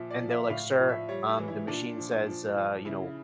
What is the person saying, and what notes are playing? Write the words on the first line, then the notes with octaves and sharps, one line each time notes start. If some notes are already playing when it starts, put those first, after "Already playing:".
and they're, like, "Sir, um, the machine says, uh, you know,
Already playing: A#2 F3 E5
D5
F3
E5
E5
A2 F5
F3
E5
G3 C#5
E4
E3
E4
A#2 D4
F3
F3
F3
C#3 E4